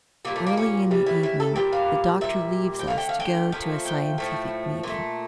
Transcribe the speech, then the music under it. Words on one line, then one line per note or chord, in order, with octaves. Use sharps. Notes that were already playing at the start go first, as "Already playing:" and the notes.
Early in the evening the doctor leaves us to go to a scientific meeting.
A#2 G3 A#3
A3
A#3
C#4
C#3 E3 G3
E4
E4
A4
A#2 G3 G5
F5
A#2 G3 E5
G5
D3 A3 F5
G5
F5
G5
A#2 F3 A3
G5
A2 F3 A3
A#2 A3